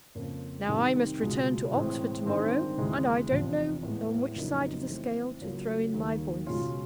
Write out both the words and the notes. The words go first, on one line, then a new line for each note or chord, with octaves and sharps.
Now I must return to Oxford to-morrow, and I don't know on which side of the scale to throw in my voice.'
F2 C#3 F3 A#3
C3 D#3 G3
C#2 B2 G#3
A2 E3 G#3 C4
G2 D#3 G#3 C4
D2 C3 E3 G#3
E2 C3 F3
A2 E3 G#3 B3
F2 C#3 F#3 A#3 D#4
E3 A3 C4
C#2 C#3 F#3 A#3 C#4
D#2 D#3 G3 A#3
C#2 B2 G#3 C#4 F4